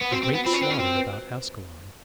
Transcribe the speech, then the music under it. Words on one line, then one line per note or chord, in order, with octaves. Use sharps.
A Great Slaughter About Ascalon.
B3
C4 F#4
C4
B4
B3
C4 F4
C#4
C4 C5
C#4
C4 F#4
B4
C5